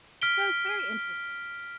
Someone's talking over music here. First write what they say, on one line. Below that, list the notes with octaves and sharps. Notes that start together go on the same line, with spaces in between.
So, it's very interesting.
F6 B6 D7 G7